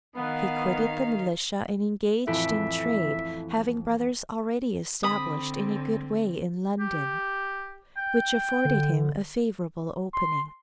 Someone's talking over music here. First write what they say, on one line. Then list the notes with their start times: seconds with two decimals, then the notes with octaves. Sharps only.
He quitted the militia and engaged in trade, having brothers already established in a good way in London, which afforded him a favourable opening.
0.16 D#3 B3 F5
2.27 A1 F2 E4 A4 E5 B5 B6
5.03 D3 C4 B5 D#6
6.80 G4
7.97 G5
8.65 D3
10.14 C6